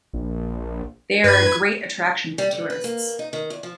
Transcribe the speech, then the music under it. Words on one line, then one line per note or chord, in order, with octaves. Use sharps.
They are a great attraction for tourists.
A#1
G2 B4 G#6
G3
D3
B4
A#3
D#4
D#3
E2
F3